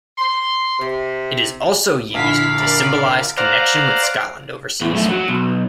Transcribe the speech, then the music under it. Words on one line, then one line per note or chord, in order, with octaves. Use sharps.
It is also used to symbolise connection with Scotland overseas.
C6
C3
A#1 D3 E4 F5 B6
A#4 D5 B5
C5 D5 F5 F#5 A#5
E2
F#2 A3
F#3
B1